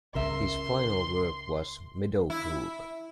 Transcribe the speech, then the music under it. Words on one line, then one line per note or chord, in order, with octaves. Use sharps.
His final work was "Meadow Brook".
C#2 C#3 A#4 E5 C6
E4